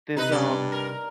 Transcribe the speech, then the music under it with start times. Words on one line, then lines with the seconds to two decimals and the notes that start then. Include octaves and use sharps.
this, um
0.17 C3 D#4 B4 D#5
0.31 G2 D5
0.72 A#4